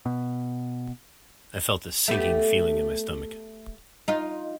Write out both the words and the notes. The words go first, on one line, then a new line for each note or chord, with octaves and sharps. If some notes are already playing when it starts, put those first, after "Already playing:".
I felt a sinking feeling in my stomach.
B2
A3 B3 G4
D#4 F4